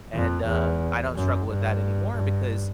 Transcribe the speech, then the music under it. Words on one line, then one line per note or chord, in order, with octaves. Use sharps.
and, um, I don't struggle with that anymore because
F2
E2
F#2
G2
G2